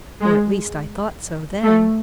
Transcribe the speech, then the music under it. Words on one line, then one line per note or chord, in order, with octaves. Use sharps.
Or at least I thought so then.
G#3
A3